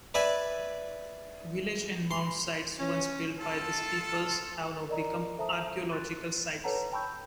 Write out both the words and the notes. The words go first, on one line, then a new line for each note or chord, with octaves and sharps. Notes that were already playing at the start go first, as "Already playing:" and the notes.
Village and mound sites once built by these peoples have now become archaeological sites.
B4 D5 E5 G#5
C6
C#4
F4 A4 A5
A#4 D5 D#5 A#5
A4 C5 E5 A5 A#5 D#6
C6 F#6 A6
A4 B4 C#5 F#5 A5 A#5
G5 A5 B5 C#6 E6 G6